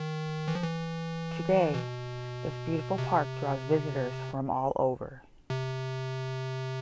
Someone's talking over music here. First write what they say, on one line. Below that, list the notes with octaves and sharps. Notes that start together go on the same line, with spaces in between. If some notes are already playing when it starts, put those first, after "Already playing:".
Today, this beautiful park draws visitors from all over.
Already playing: D#3
E3
F3
E3
B2
C3
C3